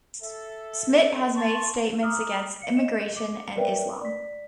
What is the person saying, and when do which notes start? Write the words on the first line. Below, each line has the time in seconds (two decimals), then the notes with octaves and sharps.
Smit has made statements against immigration and Islam.
0.22 A4 E5
1.35 A5 C6 C#6
2.03 A#5 D6 D#6 F6
2.62 F5 C#7
2.76 D#5 E7
3.16 D6
3.56 A#4 B4 C#5 D5 E5 G5
4.01 D5 B6